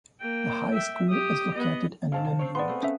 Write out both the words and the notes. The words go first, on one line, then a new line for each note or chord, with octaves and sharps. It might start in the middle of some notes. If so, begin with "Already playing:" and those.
The high school is located in Linwood.
A#3 G5
E5 G5
G4 D#6
B3 D#5
G#2 C4 C#4 F5 A5
C3
C4 C#5
A2 G#3 B3 D5 C6
A3 C4 G#4
C#4 E5